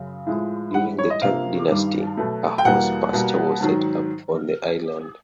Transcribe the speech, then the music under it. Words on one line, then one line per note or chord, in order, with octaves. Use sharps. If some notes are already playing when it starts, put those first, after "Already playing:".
During the Tang Dynasty, a horse pasture was set up on the island.
Already playing: F#2 C#3
A2 F3 G#3
G#2 E3 G3 F#5
C#5
D#5
C3 F3 A#3 F5
G2 D#3 G3
B2 F#3 A3
G5
E2 B2 G3 A#3 F#5
B2 G3 A#3
G#2 D#3 F#3